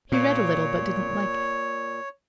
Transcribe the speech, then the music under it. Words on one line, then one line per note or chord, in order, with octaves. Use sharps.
He read a little but didn't like it.
A#2 C#5